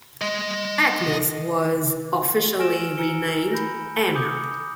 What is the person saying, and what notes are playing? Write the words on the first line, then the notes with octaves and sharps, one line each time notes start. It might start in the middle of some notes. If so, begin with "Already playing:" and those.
Agnes was officially renamed Anna.
D#5 C6
G#5 E6 F6 A#6 D7 E7
G#5 A#5 E6 C#7 D7 G7
B5 G6 A#6
D6 D#6 G6 C#7